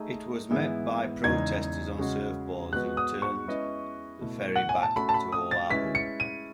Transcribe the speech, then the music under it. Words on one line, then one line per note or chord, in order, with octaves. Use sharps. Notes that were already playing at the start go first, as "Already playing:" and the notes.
It was met by protesters on surfboards who turned the ferry back to Oahu.
Already playing: A3 D#4 G#4 D#5
G#2 E3 B3 E4 G#4
E2 C#3 G#3 D#4 G#6
C#3 G#3 C#4 F#4
G#3 B3 F#4 B4 F#6
D#6
C#6
G#3 C#4 E4 B4 D#5
B2 A3 E4
F#5
G#5
A5
A3 C#4 F#4 A4 B5
A5
B5
D#6
A6
G#3 C#4 E4 B4 B6
C#7
D#7